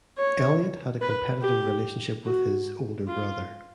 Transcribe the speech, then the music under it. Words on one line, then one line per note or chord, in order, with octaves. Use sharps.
Elliott had a competitive relationship with his older brother.
C#5
B4
G4
F#4
F4